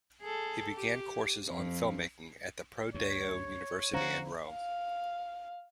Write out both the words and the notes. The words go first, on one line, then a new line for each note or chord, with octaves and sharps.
He began courses on filmmaking at the ProDeo University in Rome.
G#4 A4
G4
F2
D2 G2 C#5
D3 F3 C#4 F#4 C5 F5 A#5
F5